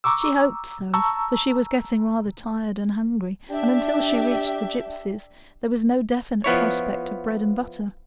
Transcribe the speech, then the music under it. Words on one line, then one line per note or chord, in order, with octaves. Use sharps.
She hoped so, for she was getting rather tired and hungry, and until she reached the gypsies there was no definite prospect of bread and butter.
A#5 C#6 D6 E6
A5 A#5 C#6 E6
D4 G4 E5
F3 B3 E4 C#5